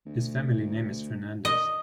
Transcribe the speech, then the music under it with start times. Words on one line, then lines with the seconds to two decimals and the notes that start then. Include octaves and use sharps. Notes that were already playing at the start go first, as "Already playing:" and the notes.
His family name is "Fernandes".
0.06 D2
1.45 D#5